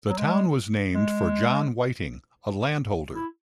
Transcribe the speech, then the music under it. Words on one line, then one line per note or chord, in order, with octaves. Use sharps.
The town was named for John Whiting, a landholder.
F#3
G#3
G#3
E4